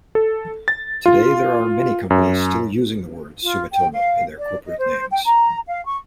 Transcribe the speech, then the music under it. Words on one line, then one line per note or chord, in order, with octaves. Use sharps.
Today, there are many companies still using the word "Sumitomo" in their corporate names.
A4
A6
F4
F#2
F4
G5
F5
D5
D#5
C5
G5
A#5
F5
C#6